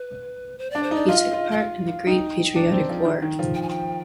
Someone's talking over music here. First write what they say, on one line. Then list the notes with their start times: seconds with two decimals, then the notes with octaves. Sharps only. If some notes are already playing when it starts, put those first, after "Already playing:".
He took part in the Great Patriotic War.
Already playing: B4
0.59 C5
0.71 D4 D5
0.83 C5
0.91 D#4
0.95 D5
1.08 F4 D#5
1.33 F4
1.51 D#5
1.57 F5
2.07 D#4 G5
2.56 D4
2.72 C4
2.89 F3
3.05 D#3
3.22 D#3
3.39 F3
3.54 G5
3.62 G#5
3.69 G5